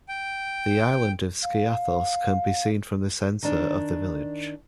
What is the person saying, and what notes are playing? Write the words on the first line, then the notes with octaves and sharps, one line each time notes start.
The island of Skiathos can be seen from the centre of the village.
G5
F5
D#3 D4